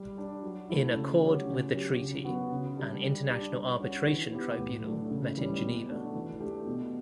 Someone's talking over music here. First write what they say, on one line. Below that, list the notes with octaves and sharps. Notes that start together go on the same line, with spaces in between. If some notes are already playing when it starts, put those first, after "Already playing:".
In accord with the treaty, an international arbitration tribunal met in Geneva.
Already playing: G3
D4 G4
F#3
A3 E4
C#3
F#3 C#4 G4
C#3
F#3 C#4 G4
C#3
F#3 B3 F#4
C#3
G3 D4 G4
G3
D4 G4
G3
C#4 F#4
E3
B3 E4 G4
A2
F#3 A3 D4
C#3
E3 G3 C#4
B2
A3 D4 F#4
E3
A3 D4 G4
B2